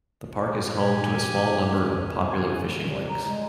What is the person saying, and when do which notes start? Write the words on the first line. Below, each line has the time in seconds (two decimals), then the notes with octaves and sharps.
The park is home to a small number of popular fishing lakes.
0.24 F4
0.74 A#2 G4 G#5
1.96 F2 C#3
2.28 G#5
2.88 G3
3.09 A#5
3.24 G#3